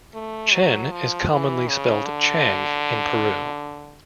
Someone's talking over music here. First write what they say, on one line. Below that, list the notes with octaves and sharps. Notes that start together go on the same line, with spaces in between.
Chen is commonly spelled Chang in Peru.
A3
F#3
F3
E3
C#3
D3